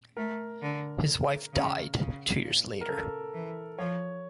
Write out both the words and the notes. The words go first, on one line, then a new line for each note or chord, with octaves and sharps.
His wife died two years later.
A3 A#4
D3
C#3
C#3
A#2
A#4
C#3 A4
E3
F3 C#5